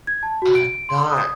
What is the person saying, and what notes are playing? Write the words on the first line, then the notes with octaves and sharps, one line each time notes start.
Uh, not,
G#6
A5
F#4
D7
C6
D#6